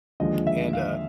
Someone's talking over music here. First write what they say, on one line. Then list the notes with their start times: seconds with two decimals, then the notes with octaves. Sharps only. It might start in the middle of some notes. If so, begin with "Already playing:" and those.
And, uh,
0.20 D#2 D3 F3 G#3 D#5
0.47 E5
0.73 F5